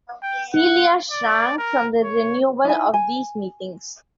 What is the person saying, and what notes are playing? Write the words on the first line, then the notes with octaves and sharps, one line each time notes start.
Celia shrank from the renewal of these meetings.
G5
F#5
D5
A#4
C#5
D#4 E4 G#5
G#5